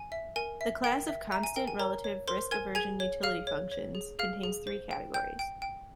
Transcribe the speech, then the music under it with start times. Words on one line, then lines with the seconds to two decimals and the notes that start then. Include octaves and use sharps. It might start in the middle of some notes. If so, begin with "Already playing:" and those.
The class of constant relative risk aversion utility functions contains three categories.
Already playing: G#5
0.12 E5
0.36 A#4 G#5
0.61 E5
0.84 A#4 G5
1.08 E5
1.31 E5 A#5
1.43 G#5
1.56 A#4 G5
1.68 G#5
1.79 A#4 C#5 A#5
2.04 C#5
2.28 A#4 C5 C6
2.51 A#4 G#5 G#6
2.75 G#4 G#5 G#6
3.00 C#5
3.23 G#4 F5 F6
3.47 C#5
3.72 C#5
3.95 G#4
4.19 G#4 F5 F6
4.43 G#4
4.67 C5
4.91 G5
5.14 G5 G6
5.39 G5
5.62 G5